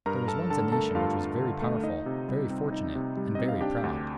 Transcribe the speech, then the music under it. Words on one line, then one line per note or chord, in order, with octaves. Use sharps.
There was once a nation which was very powerful, very fortunate, and very proud.
G2 A#4 A#5
G2 A4 A5
D3 A4 A5
A3 A4 A5
G2 F4 F5
G2
D3
A3
D#4 D#5
C3
G3
C4
D#4
C3
G3
C4 D#5
F5
D4 G4 G5
D2